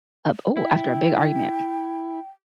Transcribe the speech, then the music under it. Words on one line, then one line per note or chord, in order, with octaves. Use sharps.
a b oh, after a big argument?
E4 G5